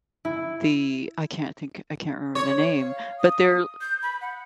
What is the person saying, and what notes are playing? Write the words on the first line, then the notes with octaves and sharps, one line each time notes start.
the I can't think. I can't remember the name. But they're
E4
C#5
F5
D#6
G6
B5
F#5